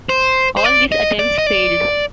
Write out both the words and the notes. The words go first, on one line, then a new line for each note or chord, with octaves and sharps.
All these attempts failed.
C5
C5
D5
D#5
D5
D#5
D5